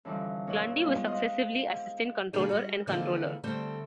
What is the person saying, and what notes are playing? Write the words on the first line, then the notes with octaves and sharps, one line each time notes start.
Lundy was successively assistant controller and controller.
F#2 D3 E3 F3 G3 D#4
A#2 D#4 C#5 D5 F#5 E6
G3 G#3 B3 D#4 F4
C5 D#5 F5 F#5 C6
C3 D#3 A3 A#3 D4 G#4
G3 F#4
D3 E3 F3 G#3 A#3 C4
D3 G3 A3 C4 C5